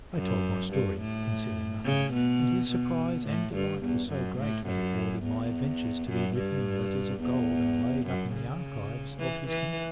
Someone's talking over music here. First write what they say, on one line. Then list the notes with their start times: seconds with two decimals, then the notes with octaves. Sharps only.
I told my story, concealing nothing, and his surprise and delight were so great that he ordered my adventures to be written in letters of gold and laid up in the archives of his kingdom.
0.16 F#2
0.72 G2
1.01 A2
1.85 C#3
2.13 B2
2.69 B2
3.26 A2
3.55 G2
3.82 E2
4.11 F#2
4.39 A2
4.67 F#2
5.23 E2
6.09 F#2
6.37 G2
7.21 E2
8.06 F#2
8.35 C#3
9.19 E3
9.48 E3